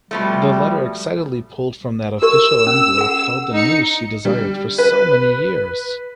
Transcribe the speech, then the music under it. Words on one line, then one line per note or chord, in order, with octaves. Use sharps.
The letter excitedly pulled from that official envelope held the news she desired for so many years.
B2 F3 G3 A3
G4 A#4 C#6 E6
C#4
G#4 F#5
D#4 C#7
G3
B4